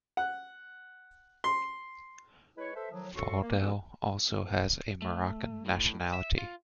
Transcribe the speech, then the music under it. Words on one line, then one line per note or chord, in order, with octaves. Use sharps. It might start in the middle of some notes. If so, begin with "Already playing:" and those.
Faudel also has a Moroccan nationality.
F#5
C6
G#3 E4 B4 C#5
A4 B4 C5 E5
A2 D#3 F3 F#3
A2 F#4 A4 C6 C#6
A#3
D3 E3 B3 C#4 F#4 E6
A3
A2
E5
F4